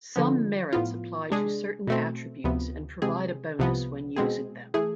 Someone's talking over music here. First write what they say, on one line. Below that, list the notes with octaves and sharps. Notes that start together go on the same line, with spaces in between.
Some Merits apply to certain Attributes and provide a bonus when using them.
D3 F3 B3
A2 F3 B3 F4
C3 G#3 D4 G#4
B2 A3 C4
D2 C3 F3 B3
C3 G#3 C4 G#4
C2 C3 F3 B3
B2 G#3 C4 G#4
E3 A3 E4 G#4